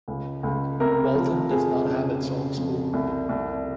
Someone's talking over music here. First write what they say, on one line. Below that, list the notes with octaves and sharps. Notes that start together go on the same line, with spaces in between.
Waltham does not have its own school.
C#2
C#2
C3 A#4
F3
F2 G#4
C#3
C#3
F2
C2
C2